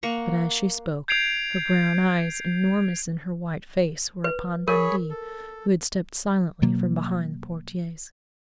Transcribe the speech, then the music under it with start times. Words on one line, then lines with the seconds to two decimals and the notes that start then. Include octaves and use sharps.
But as she spoke, her brown eyes, enormous in her white face, were upon Dundee, who had stepped silently from behind the portieres.
0.03 A#3 F#5 A#5 C#6
1.08 G6 G#6 C7 D7 F7
4.24 B4
4.68 G#4 A#4 C#5 B5
5.10 A4
6.62 B2 F#3 A#3